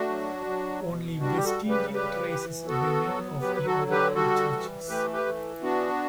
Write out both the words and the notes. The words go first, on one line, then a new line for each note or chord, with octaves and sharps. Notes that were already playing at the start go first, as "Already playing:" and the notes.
Only vestigial traces remain of the other two churches.
Already playing: A3 D4 F#4
F#3
F#3
B2
G3 D4 F#4
G4
F#4 A4
C#3
G4 B4
G3 G4 B4
E3
B3 F#4 A4
F#3
F#3 G4 B4
B4
F#4 A4
D3
G4 B4
G3 F#4 A4
E3
A3 G4 B4
G4 B4
E3
B3 D4 F#4